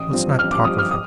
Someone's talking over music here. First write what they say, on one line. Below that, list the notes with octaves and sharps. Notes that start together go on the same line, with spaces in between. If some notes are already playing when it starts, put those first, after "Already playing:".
Let's not talk of him.
Already playing: A1 D#6
G2 F3 C4
A1 F6
D6
G2 F3 C4 D#6
F6
D#6